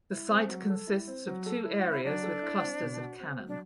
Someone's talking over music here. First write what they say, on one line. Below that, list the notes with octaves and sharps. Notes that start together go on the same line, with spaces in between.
The site consists of two areas with clusters of cannon.
E4
C4
F#3
A4
E4
C4
F#3
A4
E4
F#4
C4
E4
F#3 D4
A4
E4
C4
B2
F#4
C4
F#3
D4